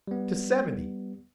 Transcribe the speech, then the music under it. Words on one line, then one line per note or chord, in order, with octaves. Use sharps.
To seventy!
G3 B3